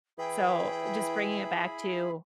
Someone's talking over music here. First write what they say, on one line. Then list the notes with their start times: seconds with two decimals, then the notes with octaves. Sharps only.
so, just bringing it back to
0.18 E3 E4 G#4 G5 B5